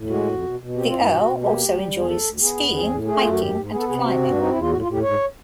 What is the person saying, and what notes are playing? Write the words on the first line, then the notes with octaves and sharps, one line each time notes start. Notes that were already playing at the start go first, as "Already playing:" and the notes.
The earl also enjoys skiing, hiking, and climbing.
Already playing: A2
G#3 F#4
F2
B2
B2
C4 G4
F4
G2
E4
B2 F#4
B2
A#3 G4
D2
G3
E2
G#4
D2 A4
D2
B3 G#4
E2
C4 G#4
A2
A3 G#4
F#2 F4
F#4
G#2 G4
G#2
B3 G#4
A4
C3 G#4
G4
C4 F#4
G2
D4
C4 D#4
E2 E4
F4
A2 F#4
F4
A2
G4
G#2 C#5